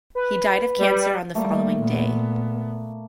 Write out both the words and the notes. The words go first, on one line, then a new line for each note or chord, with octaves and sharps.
He died of cancer on the following day.
B4
G3
G3 A3 A#3
A#2 B3